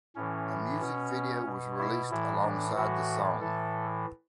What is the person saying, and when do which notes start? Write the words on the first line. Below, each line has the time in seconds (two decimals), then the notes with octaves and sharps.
A music video was released alongside the song.
0.16 A2 E3 C#4
0.81 B2 C#4
1.46 B2
1.78 E4
2.10 A2 E3 E4
2.43 D4
2.76 A2 E3 F#4
3.41 A2 E3 A4